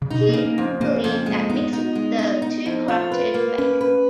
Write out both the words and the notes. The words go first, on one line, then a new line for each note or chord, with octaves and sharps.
He believed that mixing the two corrupted faith.
C#3
B2 D#4
A#3
C#3
A#3
F2
C#3 A#3
F2
G#3
B3 D#4
D#4
G#3
D#4
D#4
F2
F4
B4
A#3
C#4 B4
B4